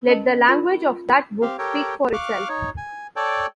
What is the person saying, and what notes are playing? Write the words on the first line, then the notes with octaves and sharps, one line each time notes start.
Let the language of that book speak for itself.
C#4 A#4 D#5 A5
F4 A#4 B5
C4 G4 F5
G4 A4 A#4 C#5 G5
F5 C#6 D6 F6 F#6
D#4 C#5
G#5
A4 C#5 D5 G5 A5